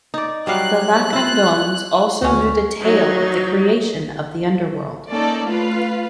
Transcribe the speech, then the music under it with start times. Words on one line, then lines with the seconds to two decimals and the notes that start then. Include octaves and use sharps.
The Lacandons also knew the tale of the creation of the Underworld.
0.14 D#4 D5
0.47 F#3 G3 F5 F#6
1.13 E4 F4
2.22 D2 C#4 F#4
2.81 F#3 D#4
5.10 A#3 C#4 D#4 A4 D5
5.46 A3 F4 B4 F5